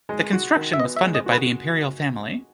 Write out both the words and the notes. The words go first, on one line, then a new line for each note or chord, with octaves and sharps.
The construction was funded by the imperial family.
G#3
F#4
D#3
E5
B3 D#5
E5
G#3
D#5
F#4
B4